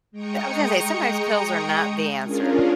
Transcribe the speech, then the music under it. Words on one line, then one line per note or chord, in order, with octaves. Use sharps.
I was gonna say, sometimes pills are not the answer.
G#3 G5 A#5 C#6 D#6 C#7
C#4 D4 F4 G#4 A#4